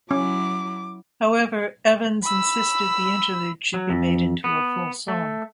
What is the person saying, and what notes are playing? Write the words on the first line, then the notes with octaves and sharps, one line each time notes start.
However, Evans insisted the interlude should be made into a full song.
F#3 C#4 E4 D6
B5 E6
F#3
F2
B3
A3